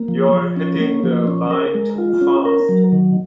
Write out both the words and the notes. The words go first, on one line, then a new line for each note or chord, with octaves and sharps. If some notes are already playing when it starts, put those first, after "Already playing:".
You're hitting the line too fast!
Already playing: A#3
F3
F3
C#4
A#3
F3
C#4
A#4
G#3
F4
C#4
A#4
F#3
D#3